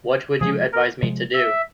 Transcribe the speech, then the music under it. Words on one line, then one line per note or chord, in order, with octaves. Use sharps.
What would you advise me to do?
C3 F3 G#3 G#4
A#4
C3 F3 G#3
E5